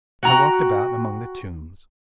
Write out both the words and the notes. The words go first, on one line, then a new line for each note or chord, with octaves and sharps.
I walked about among the tombs.
F#4 G5 A#5